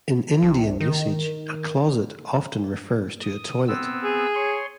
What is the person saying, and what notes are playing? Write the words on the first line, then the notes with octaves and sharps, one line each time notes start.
In Indian usage, a closet often refers to a toilet.
C2
D#3
D#6
B3 C4 E6
G#4
C#5 C6